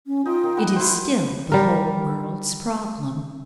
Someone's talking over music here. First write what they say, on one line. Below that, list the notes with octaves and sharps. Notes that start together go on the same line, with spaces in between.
It is still the whole world's problem.
C#4
D#4 F4 G5
D#3
G3 F#5
E4 F#4 C5
G3 A#4